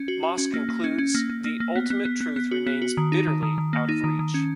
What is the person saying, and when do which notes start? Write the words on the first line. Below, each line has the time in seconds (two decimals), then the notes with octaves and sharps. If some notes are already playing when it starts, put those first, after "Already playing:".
Moss concludes, the ultimate truth remains bitterly out of reach.
Already playing: C#4
0.08 F#4
0.23 F#4
0.38 C#4
0.54 A#3
0.69 A#3
0.84 C#4
0.98 C#4
1.15 A#3
1.29 A#3
1.44 A#3
1.60 A#3
1.75 B3
1.90 B3
2.05 B3
2.21 B3
2.36 B3
2.51 F#4
2.67 B3
2.82 F#4
2.97 D#3
3.12 D#4
3.27 D#3
3.43 D#3
3.58 D#3
3.73 A#3
3.89 D#4
4.04 D#3
4.19 D#3
4.34 C#4